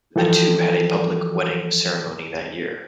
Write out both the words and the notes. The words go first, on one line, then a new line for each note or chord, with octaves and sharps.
The two had a public wedding ceremony that year.
E3 F3 A4 G5